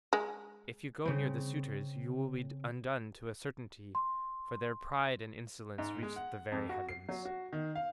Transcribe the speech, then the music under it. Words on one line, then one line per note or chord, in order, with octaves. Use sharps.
If you go near the suitors you will be undone to a certainty, for their pride and insolence reach the very heavens.
G#3
C#3 C4
C6
G#2
G#3
F#5
F2
F#4
C7
F#3
F#4
D#3
F5